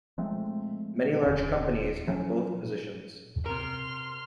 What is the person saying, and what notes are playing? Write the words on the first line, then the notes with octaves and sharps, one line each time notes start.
Many large companies have both positions.
F3 G#3 A3 C4
D1 E2 D3 C#4
F3 F#3 C#4
C3 A#4 C6 F6